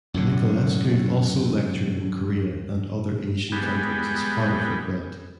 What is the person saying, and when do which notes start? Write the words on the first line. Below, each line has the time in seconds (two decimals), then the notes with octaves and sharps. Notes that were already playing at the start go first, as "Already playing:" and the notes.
Nicolescu also lectured in Korea and other Asian countries as part of her grant.
0.14 F#2 A2 D3
3.52 G3 G#3 B3